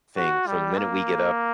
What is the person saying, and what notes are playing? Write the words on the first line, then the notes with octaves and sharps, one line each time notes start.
thing., from the minute we get up
F#4
G3
A#3